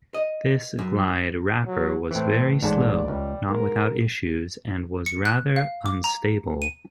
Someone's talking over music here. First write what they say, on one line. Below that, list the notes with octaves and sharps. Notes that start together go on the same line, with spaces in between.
This Glide wrapper was very slow, not without issues, and was rather unstable.
D#5
F#2
F#3
A2 E3 C4
A1 G#2 D5 A5
C#2 G3
G#2 A#4
C#7
F#6
F5
D6
A#5
D#7